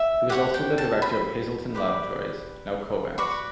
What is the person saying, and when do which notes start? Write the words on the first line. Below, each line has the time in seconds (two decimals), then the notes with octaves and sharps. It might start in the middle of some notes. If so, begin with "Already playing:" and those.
He was also the director of Hazelton Laboratories, now Covance.
Already playing: E5
0.29 G4 C#5 F#5
0.54 G5
0.78 A5
1.02 B5
1.75 G4 B4 D5
3.18 F#4 B4 D5 C#6